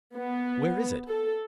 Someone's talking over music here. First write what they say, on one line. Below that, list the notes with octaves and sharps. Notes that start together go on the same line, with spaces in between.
"Where is it?"
B3
A4